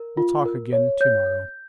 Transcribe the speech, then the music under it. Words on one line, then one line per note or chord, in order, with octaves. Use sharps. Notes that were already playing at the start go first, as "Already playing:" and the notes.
"We'll talk again to-morrow."
Already playing: A#4
F4
A#4
C#5
C#5 G6